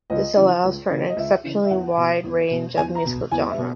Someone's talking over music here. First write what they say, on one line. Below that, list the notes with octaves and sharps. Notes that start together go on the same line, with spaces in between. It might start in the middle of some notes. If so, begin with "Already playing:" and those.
This allows for an exceptionally wide range of musical genres.
C#2 D#5
C#3 E3
C#2
C#3 E3
D#5
C#2 E5
C#3 E3
E5
E2 F#5
B2
E2
B2
E2 G#5
A#5
B2
E2 G#5
E5
B2